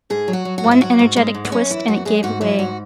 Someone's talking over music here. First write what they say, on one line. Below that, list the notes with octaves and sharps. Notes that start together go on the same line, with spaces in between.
One energetic twist and it gave way.
G#2 G#4
F#3
F#4
F#3
F#4
G#2
E4
F#3 F#4
G#2
G#2 G#3
G#2
B3
F#2 C#4
E3 E4
F#2 F#4
F#2 G#4
G#2 F#4
F#3 E4
G#2 F#4